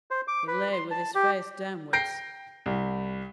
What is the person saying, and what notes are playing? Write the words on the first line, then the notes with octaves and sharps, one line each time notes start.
He lay with his face downwards.
C5
D6
B4
C6
A5
G4
G5 G6 A#6 C7 D7
C2